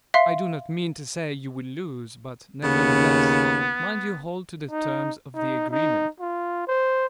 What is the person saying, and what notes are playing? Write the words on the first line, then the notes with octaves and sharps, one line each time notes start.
"I do not mean to say you will lose, but, nevertheless, mind you hold to the terms of the agreement."
E5 F5 C6
D#2 C#3 B3
D#4
D#4
D#4
F4
C5